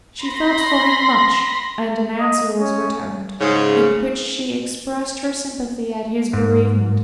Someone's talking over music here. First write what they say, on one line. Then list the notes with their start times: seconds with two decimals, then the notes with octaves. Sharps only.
She felt for him much, and an answer was returned, in which she expressed her sympathy at his bereavement.
0.24 B5 C6 A#6
2.20 D#5
2.60 C#4
3.39 G#2 C#3
6.33 G#2